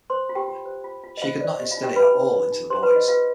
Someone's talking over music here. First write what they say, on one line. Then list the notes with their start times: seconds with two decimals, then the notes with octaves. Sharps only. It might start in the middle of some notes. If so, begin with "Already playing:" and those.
She could not instil it at all into the boys.
0.10 C5 C6
0.29 F4
0.35 G4 G5
0.48 F4
0.66 C5
0.84 F4
1.04 F4
1.17 D#5
1.22 F4 C5 F5
1.41 C5 D5
1.59 G4 D#5
1.71 F4 F5
1.77 D#4
1.83 G4 G5
1.96 B4 B5
2.14 D#4
2.33 D#4
2.52 D#4
2.70 G4 C5 C6
2.83 B4 B5
2.90 D#4
2.96 D#5
3.08 F4 B4 F5